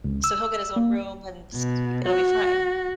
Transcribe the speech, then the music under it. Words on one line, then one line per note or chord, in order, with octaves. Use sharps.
So, he'll get his own room, and, s e it'll be fine.
C#2
E6
A#3
B2
F#4